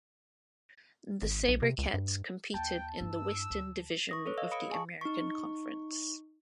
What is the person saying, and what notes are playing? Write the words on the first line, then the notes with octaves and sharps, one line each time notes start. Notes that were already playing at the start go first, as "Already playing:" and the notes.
The SaberCats competed in the Western Division of the American Conference.
G#1
B1
C3
C#2
G2
D#2 G5 A5
G2 E4 E6
D2
C#6 D#6 A#6
A4 B4 C#5
D#5 F5 E6
F5 B5 D#6 C#7 D7
G#4 G#5 A5 C#6
D#4 C#6